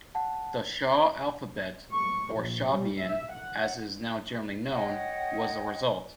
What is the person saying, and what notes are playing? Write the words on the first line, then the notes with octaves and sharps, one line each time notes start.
The "Shaw Alphabet" or "Shavian", as it is now generally known, was the result.
F#5 A5
C#6
A#1
G3
E5
F#5
C#5 D#5 F#5 G5